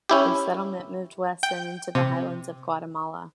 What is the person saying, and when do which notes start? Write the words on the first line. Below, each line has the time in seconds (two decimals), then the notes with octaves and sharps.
Their settlement moved west and into the highlands of Guatemala.
0.09 C#4 E4 G4
1.43 G5
1.95 C3